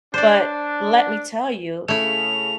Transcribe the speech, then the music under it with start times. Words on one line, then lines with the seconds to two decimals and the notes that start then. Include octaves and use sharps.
but let me tell you,
0.14 D4 C5 D5
1.88 C#3 A3 E4 F7